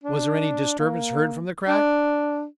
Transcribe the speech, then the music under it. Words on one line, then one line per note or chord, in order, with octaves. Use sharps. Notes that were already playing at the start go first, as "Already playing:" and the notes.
"Was there any disturbance heard from the crack?"
D4
A#3
D4